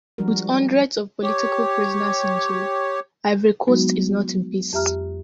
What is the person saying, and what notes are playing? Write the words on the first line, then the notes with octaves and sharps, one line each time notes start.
With hundreds of political prisoners in jail, Ivory Coast is not in peace.
F3 G3 G#3 D4 F#4 A#4
G4 C#5
F#3 G#3 B3 D#4 F#4
F2 G4 E5 A#5 F6